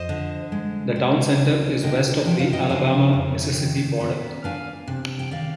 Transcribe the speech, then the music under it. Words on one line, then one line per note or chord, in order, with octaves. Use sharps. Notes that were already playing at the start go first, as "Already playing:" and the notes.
The town center is west of the Alabama-Mississippi border.
Already playing: F2 C5 D#5
D3
G#3
C4
D2
D3 D#5 G5
F3 G5
F5
D#5 G5
D4 F5 G#5
F2
D#3
B3
D4 F5 G#5
C3
G5
D#3 D5 F5